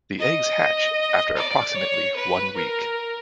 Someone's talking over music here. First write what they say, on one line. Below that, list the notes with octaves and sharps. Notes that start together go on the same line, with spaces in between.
The eggs hatch after approximately one week.
D#5
D5
C#5
B4
A#4